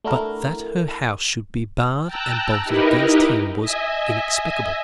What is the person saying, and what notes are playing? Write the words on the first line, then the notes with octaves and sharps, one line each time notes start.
But that her house should be barred and bolted against him was inexplicable.
A3 D4 E4 F#4 A#4
G5 A5 A#5 E6 F#6
D#4 E4 G4 A#4 B4 D#5
D#5 E5 G#5